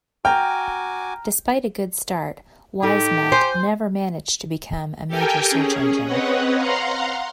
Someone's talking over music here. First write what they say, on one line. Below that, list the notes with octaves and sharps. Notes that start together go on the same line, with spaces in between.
Despite a good start, WiseNut never managed to become a major search engine.
F#4 G5 G#5 A#5 D6 F6
A2 D#4 G4 A4
C5 G#5
G4 A4 A#4 G5 G#5
C#4 G#4
C4 B4 C#5 D#5 F#5
F5 F#5 A#5 C6